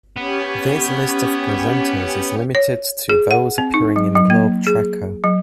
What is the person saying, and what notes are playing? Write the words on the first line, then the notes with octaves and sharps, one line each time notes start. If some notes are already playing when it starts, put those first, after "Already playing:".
This list of presenters is limited to those appearing in Globe Trekker.
B3 C#4 G4 C#5
C#5
G#4
F#5
C4
D#4
F#3
F#3
A#3
G#4
F#3